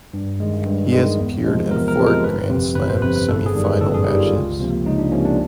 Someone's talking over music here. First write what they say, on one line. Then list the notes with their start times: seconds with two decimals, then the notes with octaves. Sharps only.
He has appeared in four Grand Slam semifinal matches.
0.14 G2
0.40 D#3 G#3
0.66 G2
0.92 D#3 G#3
1.19 E2
1.44 C3 F3 G#3
1.71 E2 A#4
1.88 A#4
1.97 C3 F3 G#3
2.07 A#4
2.24 G1 B4
2.49 F2 C3
2.75 G1 B4
2.89 C5
3.02 F2 C3 B4
3.16 B4
3.28 G1 A4
3.46 G#4
3.55 F#2 D#3 G3
3.64 B4
3.81 G1 A4
3.94 G#4
4.07 F#2 D#3 G3 G4
4.20 F4
4.33 C#2
4.59 C3 F3 A#3
4.86 C#2 D#4
4.98 D4
5.12 C3 F3 A#3 C#4
5.25 D4